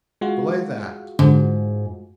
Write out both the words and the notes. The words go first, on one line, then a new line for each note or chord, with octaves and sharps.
"Belay that!"
G#3 F4 F#4
G#2 D3